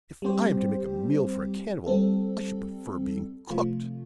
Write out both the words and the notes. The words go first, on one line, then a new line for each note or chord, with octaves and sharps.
"If I am to make a meal for a cannibal, I should prefer being cooked."
G3 C4 G4 C5
G3 C4 A4
C3 F3 A3 F4